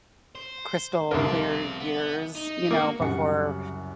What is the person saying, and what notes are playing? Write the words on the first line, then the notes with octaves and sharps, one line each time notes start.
crystal clear years," you know, before
C5
C2 D3 C4 F4 A#4
B3
D#4
A#3 F#4
C2 F#2 C#3 G4 F#5 C#7